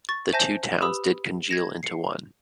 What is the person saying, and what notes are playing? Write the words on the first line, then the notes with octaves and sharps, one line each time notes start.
The two towns did congeal into one.
C#6 A6
C5 E5 G#5 A5 G6 A#6
G4 B4 B5 D#6 E6
G#6 A#6 E7
C7 C#7